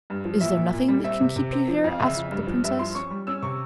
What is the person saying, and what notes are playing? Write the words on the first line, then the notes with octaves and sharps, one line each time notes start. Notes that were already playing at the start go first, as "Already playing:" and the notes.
'Is there nothing that can keep you here?' asked the princess.
G2
F3
A#2 E5
A#2
A#2
G3
C4 E5
C3
C3
C4
F3
F2
F5
C#3 E5
F2
G2
F3
G2 E5
F3 C6
C#4 C#6
G3
C#4 E6
C3 C#6